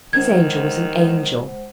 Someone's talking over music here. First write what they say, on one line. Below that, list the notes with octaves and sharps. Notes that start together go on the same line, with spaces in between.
His angel was an angel.
D#3 G#3 C5 F#5 G#6